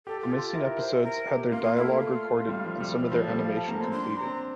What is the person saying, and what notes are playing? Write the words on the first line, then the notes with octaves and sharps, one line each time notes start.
The missing episodes had their dialogue recorded and some of their animation completed.
G4 A4
F4 G4
A4
F4
E4 A#4
C5
C5
A#4
G4
A#3 F4
F4
A3 E4
F4
G3
F3
G3
F3 E4
F3
A4
G3
E5
A3 F5
A3 A5
A#3 A#5
C4 C6
D4 C6
A#5
C4